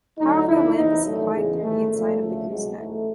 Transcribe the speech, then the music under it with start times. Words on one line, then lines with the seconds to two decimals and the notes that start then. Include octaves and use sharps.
Power for the lamp is supplied through the inside of the gooseneck.
0.17 D2 D3 F#3 D#4
0.46 D2 D3 F3 E4
0.75 E2 C3 E3 D#4
1.04 A1 G2 D#3 F#3 A3
1.32 E2 C#3 E3 G#3
1.62 A1 G#2 D#3 A3
1.91 B1 A#2 F3 A3
2.19 D2 C#3 F3
2.48 C2 B2 F#3 G#3
2.77 A1 G#2 E3 A3